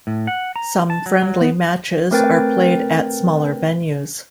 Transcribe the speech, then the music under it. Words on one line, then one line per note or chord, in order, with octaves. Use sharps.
Some friendly matches are played at smaller venues.
A2
F#5
A#5
A5
F#3
F#3
B3
A3 C4 A#4 B4 G5 A6